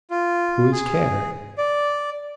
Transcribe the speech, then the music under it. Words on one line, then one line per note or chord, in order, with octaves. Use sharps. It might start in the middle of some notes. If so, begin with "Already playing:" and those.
"Whose care?"
F4
G#4
D5